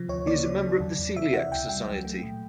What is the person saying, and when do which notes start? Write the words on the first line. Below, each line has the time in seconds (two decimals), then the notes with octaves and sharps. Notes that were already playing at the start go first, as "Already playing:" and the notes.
He is a member of the Coeliac Society.
Already playing: C3 F3
0.09 D2 C#5
0.27 A#3 D5
0.45 C#3
0.62 F#3
0.80 E2
0.99 E2
1.16 C3 E5
1.33 E3 F#5
1.52 C#2 G5
1.69 G3 G5
1.87 F#3
2.05 A3
2.23 A#2